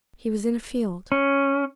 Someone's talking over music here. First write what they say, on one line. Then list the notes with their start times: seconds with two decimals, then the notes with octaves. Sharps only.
He was in a field.
1.12 C#4